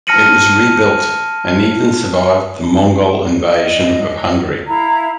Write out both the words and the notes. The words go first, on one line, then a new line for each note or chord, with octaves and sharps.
It was rebuilt, and even survived the Mongol invasion of Hungary.
A5 F6 A#6 C#7 D#7 F#7
D#5
E4 F5 A#5